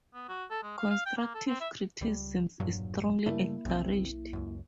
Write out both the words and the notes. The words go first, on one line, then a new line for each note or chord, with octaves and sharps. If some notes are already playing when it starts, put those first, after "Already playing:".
Constructive criticism is strongly encouraged.
B3
F#4
A4
G#3
F5
F5
G5
A#3
A4
C4
E5
C#2 G3
E1 G2 A#2 F#3
G2 C#3 G3 A3 A#3 E4
F#1 B1 C4
C#2 F#2